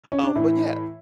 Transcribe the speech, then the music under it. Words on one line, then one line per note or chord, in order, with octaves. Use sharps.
Um, but, yeah,
C#4
D4
A2 E3 E4